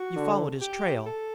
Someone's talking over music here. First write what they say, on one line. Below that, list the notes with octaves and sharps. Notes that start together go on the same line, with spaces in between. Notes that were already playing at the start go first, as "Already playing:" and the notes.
"You followed his trail?"
Already playing: F#4
D3
G4
A4